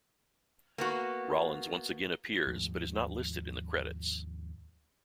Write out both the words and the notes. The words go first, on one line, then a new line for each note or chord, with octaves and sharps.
Rollins once again appears but is not listed in the credits.
A#3 B3 F#4
D#2 G#2 F3 A3